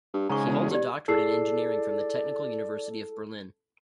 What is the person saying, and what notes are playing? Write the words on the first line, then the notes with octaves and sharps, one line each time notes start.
He holds a doctorate in engineering from the Technical University of Berlin.
G2
G#2 C#3 G#3 A#5 C#6
E1
G4 D5
E4 G#4 A4 D5 C7